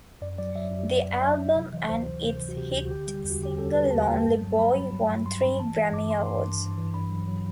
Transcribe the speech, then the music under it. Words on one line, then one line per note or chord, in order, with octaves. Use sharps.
The album and its hit single "Lonely Boy" won three Grammy Awards.
F#2 D5
F#3 D5
F#3 E5
F#2
F#2
F#2
F#3 E5
F#3
C3
E3
D2 C5
E3
C3
E3
F#4
C3 G4
D2
F#4
D3 G4
G3
E2
F#4
D3 G4
G3 A4
G3 B4
E2 A5
G3 G5
A5
G2
F#3
F#3 B5
F#3
F#3
G2
G2 C6
G2 B5
E3 A5
E3
G2 D6
G2 C6
G2 C6
G2
G2
E3
G2 B5
F#3
F#3